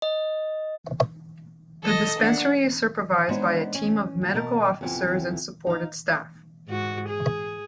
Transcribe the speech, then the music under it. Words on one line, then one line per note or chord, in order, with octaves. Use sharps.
The dispensary is supervised by a team of Medical Officers and supported staff.
D#5
A4 D#5
D4 F#5
G#3 B3 D4 D#4 C5 C#5
C#4
D2
B2 A#4 A5
F2 C3 E3 B3
D#4 F5
G#2 F#4
G#4